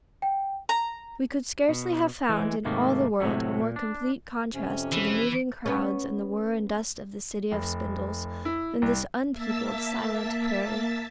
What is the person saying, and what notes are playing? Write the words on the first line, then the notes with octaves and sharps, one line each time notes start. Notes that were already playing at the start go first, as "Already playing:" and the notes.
We could scarcely have found in all the world a more complete contrast to the moving crowds and the whir and dust of the City of Spindles, than this unpeopled, silent prairie.
G5
A#5
B2
E3 G#3
G#2 C3 D#3 A3 A#3
A2 C3 D#3 F#3 A3
A#2
D4
F2 C3 C#4
E3
B3 C#4
F1
E4
C2
A#3 E5 A5 E6 A6 B6